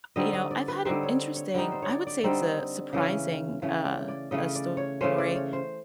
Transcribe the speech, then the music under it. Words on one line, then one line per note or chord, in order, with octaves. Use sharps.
you know, I've had an interesting I would say it's a surprising, uh, uh, story.
D3 G3 C4 D#4 D#5
D#5
D5
B4
D3 G3 C4 D#4 C5
C#5
C#5
D3 G3 C4 D#4 B4
C5
C#5
D5
D5
D3 G3 C4 D#4 D#5
C#3 E3 A3 C#4
C#3 E3 A3 C#4
D5
D5
C#3 E3 A3 C#4 D#5
D5
C#5
C#3 E3 A3 C#4 C5
D5
C#5
C5